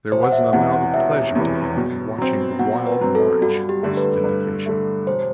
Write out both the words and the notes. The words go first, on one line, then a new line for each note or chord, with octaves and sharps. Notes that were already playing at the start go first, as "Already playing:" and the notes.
There was an amount of pleasure to him in watching the wild march of this vindication.
E1 C5
F#5
E5
E2 C3 E3 F#5
F#5
E1 E5
E2 C3 E3
B2
F#3 C4
B2 F#5
B4
F#3 C4
A4
G2 F#4
G4
D3 A3
B4
G2
D3 A3
E1 C5